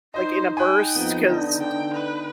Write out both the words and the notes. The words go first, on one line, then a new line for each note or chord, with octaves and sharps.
like in a burst, 'cause
D#4 C5 D#5 G6
G5 G#5 B5 F#6
F2 B3
D3
D3 G5
B4